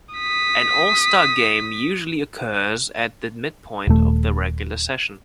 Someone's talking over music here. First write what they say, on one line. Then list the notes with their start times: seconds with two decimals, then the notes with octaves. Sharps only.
An all-star game usually occurs at the midpoint of the regular season.
0.15 D#6 B6
3.87 D#1 A3